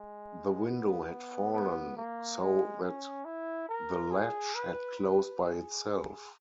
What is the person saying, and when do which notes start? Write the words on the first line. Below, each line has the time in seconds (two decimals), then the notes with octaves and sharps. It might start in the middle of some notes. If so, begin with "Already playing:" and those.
The window had fallen so that the latch had closed by itself.
Already playing: G#3
0.67 B3
1.53 B3
1.97 A#3
2.40 G#3
2.82 C#4
3.25 E4
3.69 A#4
4.11 G#4
4.55 B4
4.99 B4
5.41 G#4